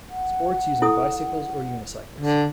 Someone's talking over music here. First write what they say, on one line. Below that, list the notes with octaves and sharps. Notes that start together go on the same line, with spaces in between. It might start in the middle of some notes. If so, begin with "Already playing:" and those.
Sports using bicycles or unicycles.
F#5
E4 A4 D#6
D3